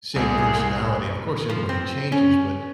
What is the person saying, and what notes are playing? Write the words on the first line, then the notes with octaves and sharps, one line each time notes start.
same personality. Of course, everybody changes, but,
C2 G#4
F3
C4
C#4